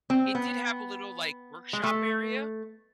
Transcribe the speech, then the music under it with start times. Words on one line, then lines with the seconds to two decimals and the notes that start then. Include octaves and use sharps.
It did have a little, like, workshop area
0.10 C4
0.35 B3
1.73 G#3
1.83 A3